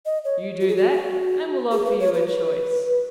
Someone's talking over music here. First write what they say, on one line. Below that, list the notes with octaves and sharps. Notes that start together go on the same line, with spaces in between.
You do that, and we'll offer you a choice.
D#5
C#5
F#4
G#4
F#4
G#4
B4
C#5
B4
B4